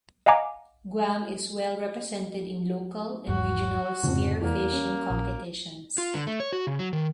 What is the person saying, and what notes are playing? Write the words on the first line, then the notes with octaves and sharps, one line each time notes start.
Guam is well represented in local and regional spearfishing competitions.
D#5 F5 F#5 G#5 A#5 D6
G#1 E2 G#2 F#4
F1 F2 G#2 C#3
E2 E3 A#3
C#4
A#1
F4
D3
A3
C#5
F#4
C#3
F#3
D#3